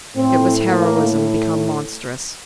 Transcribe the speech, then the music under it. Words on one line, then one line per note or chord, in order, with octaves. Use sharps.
It was heroism become monstrous.
A2 C4
A#3